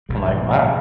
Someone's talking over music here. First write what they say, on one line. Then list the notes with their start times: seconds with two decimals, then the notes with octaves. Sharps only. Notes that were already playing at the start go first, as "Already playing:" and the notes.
I'm, like, "Wow.
0.09 A#1 G3
0.25 A#2 F3
0.35 E3
0.41 A#2 F3